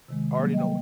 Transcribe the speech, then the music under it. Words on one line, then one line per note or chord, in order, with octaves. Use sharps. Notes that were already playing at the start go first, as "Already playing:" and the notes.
I already know it
C3 D#3 G#3
F#3 G3 A#3
D#5 G5